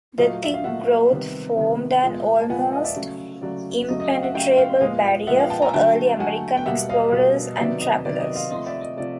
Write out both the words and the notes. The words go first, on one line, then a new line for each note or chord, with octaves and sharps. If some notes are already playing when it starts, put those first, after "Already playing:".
The thick growth formed an almost impenetrable barrier for early American explorers and travelers.
A#2 F#3 A3 D#5 F5
E5
F5
A#2 F#3 A3 E5 F#5
C3 D#3 G3 B3
C3 D#3 G3 B3
A#2 F3 G#3 B3
A5
A#2 F3 G#3 B3 F#5 G#5
D#5 F5
D5 E5
C#3 F#3 A3
C#3 F#3 A3 D5
C#3 F#3 A3 D#5
D#5
D#5 F5
E5 F#5
C#3 F#3 A3 F5 G5
F5 G5
A#2 F3 G#3 B3 D#5 F5
A#2 F3 G#3 B3 E5 F#5
F5 G5
G5 A5
G#5 A#5
D3 F#3 A3 G5 A5
D3 F#3 A3 F#5 G#5
G5
B2 G3 A#3 E5 F#5
D#5 F5
B2 G3 A#3
C3 D#3 F#3 B3 D5 E5
D#5
C3 D#3 F#3 B3 D5
D#5
D#5 F5
C3 F3 A3 D#5
D5 E5
D#5
C3 F3 A3 D5